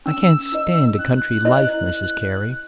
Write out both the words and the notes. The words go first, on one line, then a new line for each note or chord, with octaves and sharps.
I can't stand a country life, Mrs Carey.
C#4 E6
E4 B4 D#5
C#4 F#6
E4 B4 D#5